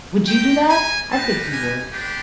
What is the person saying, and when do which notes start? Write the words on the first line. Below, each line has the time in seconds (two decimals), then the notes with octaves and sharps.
Would you do that? I think you would.
0.28 C4 D#4 G4 G5
0.69 G#5
1.10 G3 B3 D#4 G4 A5
1.51 G#5
1.91 G#3 B3 D4 G4